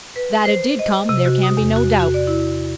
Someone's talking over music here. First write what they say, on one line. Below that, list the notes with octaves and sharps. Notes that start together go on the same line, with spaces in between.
That it did come there can be no doubt.
B4
C5
D#5
C3
F#4
D#6
E2
F#4
F#4
D5
E4